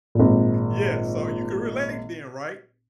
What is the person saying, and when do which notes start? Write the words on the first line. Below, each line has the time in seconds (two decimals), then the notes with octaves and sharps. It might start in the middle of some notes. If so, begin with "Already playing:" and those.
Yeah, so you can relate then, right?
0.15 G#1 A#2